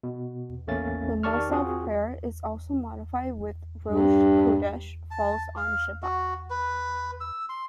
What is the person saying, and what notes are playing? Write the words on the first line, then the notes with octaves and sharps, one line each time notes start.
The "Mussaf" prayer is also modified when Rosh Chodesh falls on Shabbat.
B2
A1 E2 A3 A#3 C#4 A6
D#3 G4 D5 A5 C#6 F6
C4 F4 F#4 G#4
G2
A5
F5
F#4
B4
E6
C6